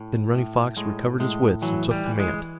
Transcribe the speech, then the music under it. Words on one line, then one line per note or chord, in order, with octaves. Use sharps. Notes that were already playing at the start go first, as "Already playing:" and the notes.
Then Running Fox recovered his wits, and took command.
Already playing: A2
A2
A2 G#3
A2 G#3
E3 F#3
G3
E3
G#3